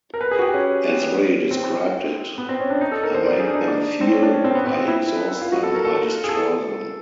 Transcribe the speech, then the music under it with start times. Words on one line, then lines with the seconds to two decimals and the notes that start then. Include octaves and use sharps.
As Ray described it, I make them feel, I exhaust them, I destroy them.
0.14 A#4
0.21 B4
0.31 G#4
0.39 F#4
0.42 G4
0.54 C#4
1.51 C4
2.38 B3
2.49 C4
2.60 C#4
2.70 D4
2.81 D#4
2.92 A4
3.03 A#4
3.14 C5
3.25 D5
3.40 G#4
3.47 D4
3.54 D#4
3.68 D4
4.01 C4
4.11 C#4
4.23 D4
4.34 C#4
4.44 C4
4.55 B3
4.66 C4
4.88 E4
5.42 F4
5.52 F#4
5.63 A4
5.75 A#4
5.85 A4
6.24 G#4
6.29 A4